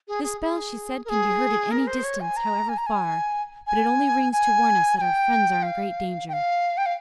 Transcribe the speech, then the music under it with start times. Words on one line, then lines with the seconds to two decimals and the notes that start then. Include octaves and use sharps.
'This bell,' she said, 'can be heard at any distance, however far, but it only rings to warn us that our friends are in great danger.
0.08 G#4
0.24 G#4
0.41 G#4
1.05 A#4
1.09 G#4
1.71 A#4
1.87 C5
2.04 C#5
2.20 G#5
2.37 A#5
2.69 G#5
2.78 A#5
2.86 G#5
3.67 G#5
4.33 G#5
4.98 G#5
5.01 G5
5.63 F5
6.28 G5
6.33 F5
6.78 G5
6.86 F5